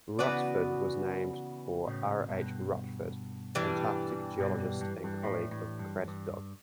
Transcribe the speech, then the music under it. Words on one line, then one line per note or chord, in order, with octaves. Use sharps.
Rutford was named for R. H. Rutford, Antarctic geologist and colleague of Craddock.
C#3 E3 B3 F#4 B4 D5
A2 C#3
G2 B2
E3 G3 D4
G2 B2
G2
G2
A2
A2
G2
G2